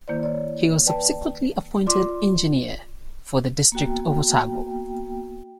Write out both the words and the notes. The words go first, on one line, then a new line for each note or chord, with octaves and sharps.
He was subsequently appointed engineer for the District of Otago.
D#3 A#3 E4 C5 D5
C#5 D5
B4 D5 G5 A5
F4 D5 C6 D6
A#3 B3 F#4 G5